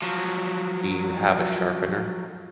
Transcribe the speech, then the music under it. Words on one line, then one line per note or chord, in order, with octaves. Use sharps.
Do you have a sharpener?
F3 F#3